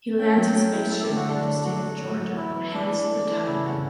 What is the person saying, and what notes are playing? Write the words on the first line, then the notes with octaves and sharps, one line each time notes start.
He lands his spaceship in the state of Georgia, hence the title.
C#4 G5
F#3
C#4
E4
A3 A4
G4
D3
F#4
A3 D4
A3
F#3 F#4
A3
F#3
F#3
E3 E4
B3 E4
E3 D4
E3
A3
E3
C#3 E4
C#3 F#4